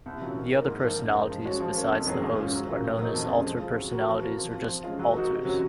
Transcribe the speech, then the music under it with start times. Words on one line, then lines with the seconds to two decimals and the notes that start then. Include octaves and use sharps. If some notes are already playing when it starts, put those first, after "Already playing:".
The other personalities, besides the host, are known as alter personalities, or just "alters".
0.06 C2
0.21 A#2 F#3 C#4 F4
0.37 D#3
0.53 A#3 D#4 A#4
0.68 G#2
0.83 F3 A#3 D#4 A#4
0.98 F#2
1.14 D#3 G#3 D#4
1.29 F3
1.44 G#3 C#4 F#4 C#5
1.60 F3
1.76 A#3 C#4
1.90 F2
2.06 D#3 F#3 C#4 G#4
2.22 G#2
2.38 D#3 G#3 C#4 F4
2.53 F#3
2.68 C#4 F4 A#4
2.84 A#2
2.98 F#3 A#3 D#4
3.14 F2
3.30 C#3 G#3
3.45 F3
3.60 C4 F4 G#4
3.76 F#3
3.91 C4 F#4 A#4
4.07 F3
4.22 C4 F#4 A#4
4.37 F3
4.52 C4 F4
4.69 F3
4.83 G#3 C#4 F4
4.99 F#3
5.14 A#3 D#4 F#4
5.30 C3
5.45 F#3 C#4 F#4